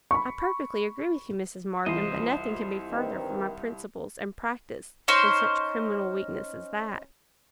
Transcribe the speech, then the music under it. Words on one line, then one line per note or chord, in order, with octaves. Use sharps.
'I perfectly agree with you, Mrs. Markham; but nothing can be further from my principles and practice than such criminal weakness as that.'
B5 C#6
C2 E3 F4 C5 D#5
G2 C3 D#3
C#4 D#4 C5